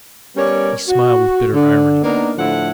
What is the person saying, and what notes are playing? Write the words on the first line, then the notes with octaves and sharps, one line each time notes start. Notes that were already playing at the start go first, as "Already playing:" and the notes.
He smiled with bitter irony.
G3 B3 C#4 A#4 C#5 D5
F#4
D3
A#3 B3 D4 D#4 A#4
A2 D3 F3 E4 F#5